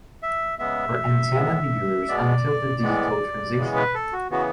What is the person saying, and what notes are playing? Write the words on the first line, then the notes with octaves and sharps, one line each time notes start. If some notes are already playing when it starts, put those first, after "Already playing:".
For antenna viewers, until the digital transition.
E5
C#3 G#3 B3 E5
A2 G#3 B3
B2 G#3 B3 D5
A2 E3 G#3 B3
C#3 E3 G#3 B3
B4
A4
F#4
C#3 E3 B3 F#4